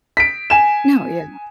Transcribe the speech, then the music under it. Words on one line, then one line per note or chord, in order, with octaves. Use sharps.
No, yeah.
B6 D7
G#5 E7